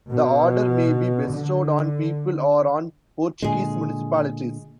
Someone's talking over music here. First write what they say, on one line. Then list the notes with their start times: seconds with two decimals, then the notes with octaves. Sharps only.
The order may be bestowed on people or on Portuguese municipalities.
0.10 B2
1.33 D3
3.42 A#2 D3 G#3 G#4